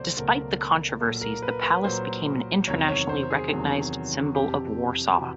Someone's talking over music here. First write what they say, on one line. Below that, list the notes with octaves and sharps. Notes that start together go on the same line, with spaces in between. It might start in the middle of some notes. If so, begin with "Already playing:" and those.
Despite the controversies, the Palace became an internationally recognized symbol of Warsaw.
Already playing: C#2 B2 F#3 A3 C5 D5
C#2 B2 F#3 A3 A#4
A#2 F#3 A#3 A4
A#4
B4
B4
A#2 F#3 A#3 C5
E2 C3 D#3 F#3 C#5
C#5
C5
G#4
E2 C3 D#3 F#3
F2 C3 E3 G4
C3 E3 F#4